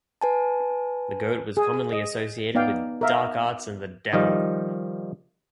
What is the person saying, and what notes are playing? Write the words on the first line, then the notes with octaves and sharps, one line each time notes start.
The goat was commonly associated with dark arts and the devil.
B4 G#5 A5
G#4
D#5
B3 D#4 D5 F5 G5
A#4 E5 F5
D#3 F3 G3 D#4